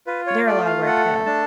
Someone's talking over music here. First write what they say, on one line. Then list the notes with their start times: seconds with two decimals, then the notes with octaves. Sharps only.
They're a lotta work though.
0.07 F4 B4
0.27 C#5
0.47 A3 D5
0.66 F5
0.87 A4 F#5
1.26 D4 A5